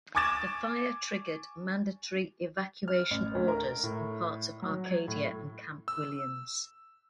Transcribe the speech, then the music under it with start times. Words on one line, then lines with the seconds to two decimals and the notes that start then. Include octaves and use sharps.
The fire triggered mandatory evacuation orders in parts of Arcadia and Camp Williams.
0.15 G#5 C#6 D6 G#6 A6 E7
2.88 F6
3.11 A1
3.35 D2
3.48 A#4
3.83 A2
4.62 F#3
4.86 G#6
5.08 A2
5.88 E6